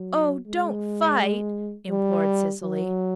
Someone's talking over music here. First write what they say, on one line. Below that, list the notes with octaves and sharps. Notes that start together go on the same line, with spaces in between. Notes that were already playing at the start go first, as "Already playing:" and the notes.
"Oh, don't fight," implored Cecily.
Already playing: F#3
G#3
G3
F#3